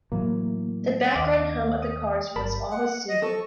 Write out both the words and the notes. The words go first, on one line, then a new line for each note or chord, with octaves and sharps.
The background hum of the cars was almost soothing.
A2 E3 F#3 A#3
D#2 D#5 F5 D6
D#6
G1 A#4 A5 B5
F#5
D#5
A4 C#6